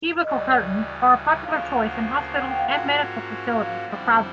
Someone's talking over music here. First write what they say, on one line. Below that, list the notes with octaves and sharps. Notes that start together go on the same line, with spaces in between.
Cubicle curtains are a popular choice in hospitals and medical facilities for privacy.
D2 C#3 E3 G3 D#5
D5
D5
D2 C#3 F3 A#3 F5
F#5
F#5
G5
F5
G#2 F3 A#3 C#4 F#4 F#5
F5
F2 D3 G3 C4 E4